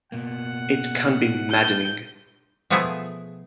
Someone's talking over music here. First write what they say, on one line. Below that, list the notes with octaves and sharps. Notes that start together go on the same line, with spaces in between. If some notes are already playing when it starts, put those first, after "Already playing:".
It can be maddening.
B2 A#3 F#5
G6
B2 F3 A3 B3 E4 G#4